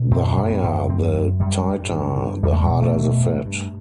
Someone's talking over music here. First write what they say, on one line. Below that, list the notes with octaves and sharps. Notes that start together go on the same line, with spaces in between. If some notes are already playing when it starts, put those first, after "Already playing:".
The higher the titer, the harder the fat.
Already playing: B2
F#2 C4
F#2
B3
F#2
F#2 C4
F#2
F#2 G3
G2
G2
G2
E2 G3
A3
G3
B2
A3
B2
G2
G2